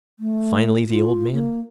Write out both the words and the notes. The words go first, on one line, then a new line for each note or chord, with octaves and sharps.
Finally, the old man?
A3
F4
A#3